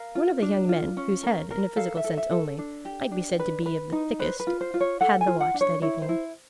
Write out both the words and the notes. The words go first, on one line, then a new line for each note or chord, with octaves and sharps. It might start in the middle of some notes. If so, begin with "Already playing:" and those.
One of the young men, whose head, in a physical sense only, might be said to be of the thickest, had the watch that evening.
Already playing: A#4 F5
F4
D4
F4
C#4
A#4
A#4
A4 F5
E5
A4
E5
A4
D4
G4
D4
B4
B4
D#4
B4 C5
B4
F4
C5
F4
C#5
A4 F#5
G#5
F4
F#5
D4
C#5
E4 C#5
C5
E4